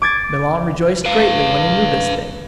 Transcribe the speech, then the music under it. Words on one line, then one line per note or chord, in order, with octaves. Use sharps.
Milon rejoiced greatly when he knew this thing.
D6 G#6 A6
B4 F5